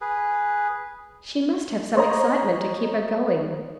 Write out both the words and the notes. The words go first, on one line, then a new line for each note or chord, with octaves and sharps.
She must have some excitement to keep her going.
G#4 B4
C5 C#5 D#5 A#5